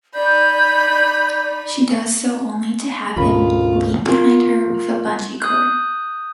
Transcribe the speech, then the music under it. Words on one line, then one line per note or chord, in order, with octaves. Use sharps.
She does so only to have him leap behind her with a bungee cord.
D#4 D5 B5 G6
D2 G#2 B2 C#4 F4 A#4 B5
F4 A#4
D#6 F#6 G6